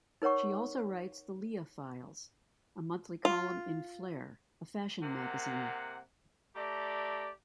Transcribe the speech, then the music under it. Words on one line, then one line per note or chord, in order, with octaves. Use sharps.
She also writes "The Leah Files", a monthly column in "Flare", a fashion magazine.
D#4 A#4 C#5 F#5 C#6
F4
C3 A#3 F#5
A3 G4 D5 A#5